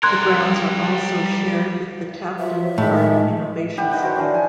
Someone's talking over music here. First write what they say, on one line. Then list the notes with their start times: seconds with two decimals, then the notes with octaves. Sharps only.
The grounds are also shared with the Tapton Park Innovation Centre.
0.03 G3 A#4 C6 F#6 G#6
2.39 F#3 F4 B4 C5 E5
2.78 A2 D#3 G#3
3.77 E4 G4 F#5
3.90 D#3 B4 G5 A5
4.02 F#4 C5 C#5 F#5
4.16 D4 E4 F5 G#5
4.34 G#5